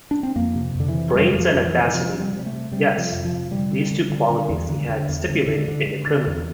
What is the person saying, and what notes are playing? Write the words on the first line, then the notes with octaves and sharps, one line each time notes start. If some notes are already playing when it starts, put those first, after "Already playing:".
Brains and audacity — yes, these two qualities he had stipulated in the criminal.
D4
C4
F2 A#3
C3
F2 D3
E3
C3
F2 G3
F2 E3
F3
F2
E3
C3
E3
C3 F3
C3
G3
C3
G3
A3
C3
C3 G3
C3
F3
F2
F3
C3
D3 G3
D3
D3
D3
D3
E2
D3
D3
E2
D3
D3
D3
D3
D3
E2